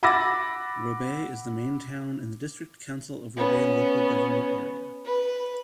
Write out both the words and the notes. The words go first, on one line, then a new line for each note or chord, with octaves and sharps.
Robe is the main town in the District Council of Robe local government area.
F#5 B5 D6 E6 A6 A#6
B3 C#4
B4